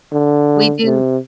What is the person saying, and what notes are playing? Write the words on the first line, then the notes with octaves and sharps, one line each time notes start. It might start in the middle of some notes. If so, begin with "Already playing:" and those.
We do
D3
C3